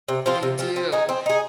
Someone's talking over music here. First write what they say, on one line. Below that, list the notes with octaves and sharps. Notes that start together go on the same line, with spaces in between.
They do.
C3
F3 C4 F4
C3
F3 C4 F4
C4
D#4 G#4
C4
D#4 G#4